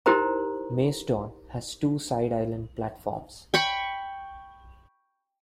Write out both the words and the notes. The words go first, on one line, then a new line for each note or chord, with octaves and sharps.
Macedon has two side island platforms.
D#4 E4 G4 A#4 C5 A#5
G5 B5 C#6